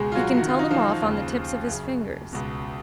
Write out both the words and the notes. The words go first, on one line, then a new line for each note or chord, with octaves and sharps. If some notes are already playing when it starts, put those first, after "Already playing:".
He can tell them off on the tips of his fingers.
Already playing: C#2 B2 G#3 G#4
F4
F#3 F#4
F#2 D#3 F#4
F4
D#4
F3 F4
D#2 C#3
F#2 C#3
C#2 B2